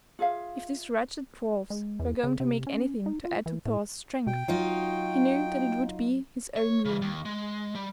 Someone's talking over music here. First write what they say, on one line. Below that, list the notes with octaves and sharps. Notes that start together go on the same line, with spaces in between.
If these wretched dwarfs were going to make anything to add to Thor's strength he knew that it would be his own ruin.
F4 G#4 E5 F5
G#3
E2
C#3
C3
C#4
D#4
F4
E3
A2
B2 G5
F#3 D#4 F4 F#4
C#5
C#3 E3
D#2
G#3
G3